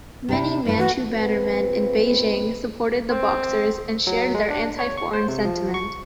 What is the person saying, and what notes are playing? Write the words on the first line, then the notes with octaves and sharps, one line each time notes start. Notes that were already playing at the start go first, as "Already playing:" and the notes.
Many Manchu Bannermen in Beijing supported the Boxers and shared their anti-foreign sentiment.
C3 D4 E4
G2 E4 B4
E3 F#4
F2 A#2 C4 B4
C4
F#3
G#3
D4
C#5
C#6
C5
C3
F3
C#6